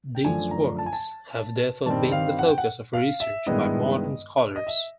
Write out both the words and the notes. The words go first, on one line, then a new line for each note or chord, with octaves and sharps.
These works have therefore been the focus of research by modern scholars.
G5
F#2 D3 F3 A3 D4 G#5
A#5
A5
G#5
A5
G2 D#3 G3 C4 A5
F5
F#5
G5
F#5
F5
E5
G2 D#3 G#3 B3 E4 D#5
D#5
E5